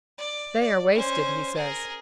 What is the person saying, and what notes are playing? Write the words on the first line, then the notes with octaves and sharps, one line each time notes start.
"They are wasted, he says."
D5
D5
C#4 C5
G#4 A#4